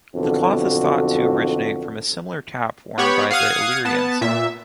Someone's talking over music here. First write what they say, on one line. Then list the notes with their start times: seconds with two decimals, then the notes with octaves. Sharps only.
The cloth is thought to originate from a similar cap worn by the Illyrians.
0.16 B1 F2 D3 F#4
2.98 B3 G4 C#5 B5
3.31 F5 F#5 D#6 G#6
3.85 B3 A5
4.21 A#2 E5